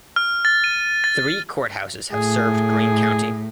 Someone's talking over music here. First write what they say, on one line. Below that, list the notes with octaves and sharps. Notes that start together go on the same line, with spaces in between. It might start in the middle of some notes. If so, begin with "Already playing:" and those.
Three courthouses have served Green County.
F6
A6
D#7
A6
A2 G#4